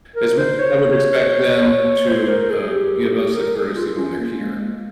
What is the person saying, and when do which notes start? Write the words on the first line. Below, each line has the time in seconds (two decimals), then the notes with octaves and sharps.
as well, I would expect them to, uh, give us the courtesy when they're here.
0.16 A#4
0.38 C5
0.59 C#5
2.07 C5
2.28 A#4
2.50 G#4
2.71 G4
3.34 A#4
3.55 G#4
3.76 F4
3.98 C#4
4.19 A#3
4.41 G#3
4.62 A#3